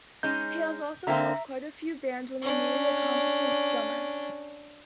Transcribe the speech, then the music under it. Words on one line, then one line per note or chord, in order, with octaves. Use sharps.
He has also helped quite a few bands when they needed a competent drummer.
G#3 C#4 D#4 G6
D3 A#3 C4 E5 A#5
C#4 D4